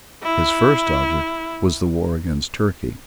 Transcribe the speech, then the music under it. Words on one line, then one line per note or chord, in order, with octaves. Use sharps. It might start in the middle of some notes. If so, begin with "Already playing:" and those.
His first object was the war against Turkey.
E4